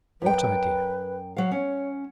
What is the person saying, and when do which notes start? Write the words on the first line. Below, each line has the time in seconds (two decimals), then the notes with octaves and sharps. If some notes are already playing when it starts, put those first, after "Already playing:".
What idea?
0.22 F#2 B4 G5
1.37 F#3 F5
1.52 C#4 C#5